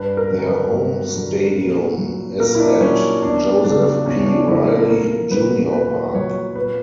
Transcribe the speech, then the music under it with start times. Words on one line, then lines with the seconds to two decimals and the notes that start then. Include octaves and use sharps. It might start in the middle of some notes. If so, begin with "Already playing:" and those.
Their home stadium is at Joseph P. Riley, Junior Park.
Already playing: G2 B4
0.17 A#4
0.30 D3 F#3
0.45 B4
0.72 G2
1.15 D3 F#3
1.55 A#2
1.98 F#3
2.40 A#2 A#4
2.55 E4
2.60 D4
2.81 F#3 C#4
3.22 E2 D4
3.64 C#3 F#3 D4
4.06 E2 C#4
4.26 D4
4.48 C#3 F#3 E4
4.69 A#4
4.89 A#2 A#4
5.31 F#3 B4
5.72 A#2 B4
6.15 F#3 C#5
6.55 A#2 B4